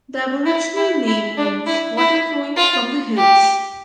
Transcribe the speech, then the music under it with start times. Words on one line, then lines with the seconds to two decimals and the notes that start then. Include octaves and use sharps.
The aboriginal name means "water flowing from the hills".
0.46 E4
0.76 E4
1.07 E4
1.37 D4
1.66 E4
1.97 E4
2.57 F4
3.17 G4